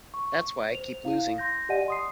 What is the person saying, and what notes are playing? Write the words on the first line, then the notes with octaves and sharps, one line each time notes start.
That's why I keep losing.
C#6
C5 F7
E4 F5
C6 G6 A#6
G4 D5 D#5 F#5 G#5 D#7
C6 D#6 C7